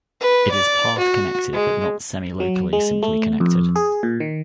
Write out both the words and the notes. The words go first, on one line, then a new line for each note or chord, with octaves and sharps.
It is path connected but not semilocally simply connected.
B4
D5
F#4
G#3
F#3
G#3
A3
F2
G#4
A#2
D#3